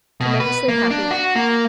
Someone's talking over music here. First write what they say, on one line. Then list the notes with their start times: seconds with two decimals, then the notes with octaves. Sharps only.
'Tremendously happy.
0.20 B2
0.40 B4
0.68 A#3
0.90 D4
1.11 F#4
1.35 A#3